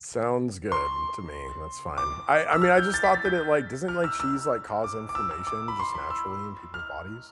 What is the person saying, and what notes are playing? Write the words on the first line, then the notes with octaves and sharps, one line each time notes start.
Sounds good to me, that's fine. I I mean, I just thought that it like doesn't like cheese like cause inflammation just naturally in people's bodies?
C6
D6
E6
F6
G6
A6
B6
A6
G6
F6
E6
E6
D6
D6
E6
E6
D6
B5
C6
B5
E6
F6